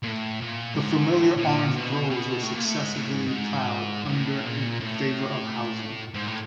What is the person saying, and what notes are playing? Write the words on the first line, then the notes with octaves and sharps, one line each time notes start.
The familiar orange groves were successively plowed under in favor of housing.
A#2
A2
A#2
G#2
A2
A2
A#2
B2
B2
A2
A#2
A2
G#2
A2
G#2
G#2
G#2
A2
A#2
A2
G#2
A2